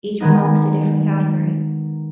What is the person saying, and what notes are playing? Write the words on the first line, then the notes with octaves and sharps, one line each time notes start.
Each belongs to a different category.
D#3 G#3 B3 D#4